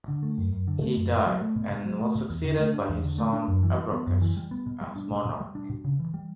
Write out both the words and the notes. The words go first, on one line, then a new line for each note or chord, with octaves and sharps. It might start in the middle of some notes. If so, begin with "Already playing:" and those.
He died and was succeeded by his son Ebraucus as monarch.
D3
A3
F#2
F#2
D3
A3
F#2
B2
F#3
A3
B2
B2
F#3
A3
B2
E2
D3
A3
D4
E2
D3
A3
D4
F#2
E3
G3
B3
F#2
E3
G3
B3
B2
G3
D4
B2
B2
G3
D4
B2
C#3
E3
G3